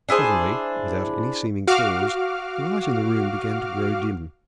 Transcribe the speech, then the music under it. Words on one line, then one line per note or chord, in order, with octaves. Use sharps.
Suddenly, without any seeming cause, the light in the room began to grow dim.
D4 E4 G#4 C5
F#4 F5 D6 F6